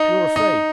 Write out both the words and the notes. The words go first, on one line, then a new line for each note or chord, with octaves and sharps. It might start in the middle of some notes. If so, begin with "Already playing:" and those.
You're afraid!
Already playing: D#4
D#4